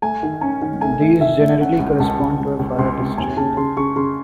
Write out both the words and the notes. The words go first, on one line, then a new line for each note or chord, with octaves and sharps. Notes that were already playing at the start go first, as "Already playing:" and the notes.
These generally correspond to a fire district.
A3 G#5
D#3
C#4 G#5
D#3
A3 G#5
A3
D#3 E5
A3
C#4 F#5
C#2
C#2 A5
C#2
C#2
C#2
C#2 C6
C3
D#2 G#5
C#3 A5
C#3 C6
C#3 C#6
C#3 C6